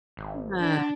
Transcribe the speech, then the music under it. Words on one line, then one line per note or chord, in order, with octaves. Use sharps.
Mm, ah.
G#1
D4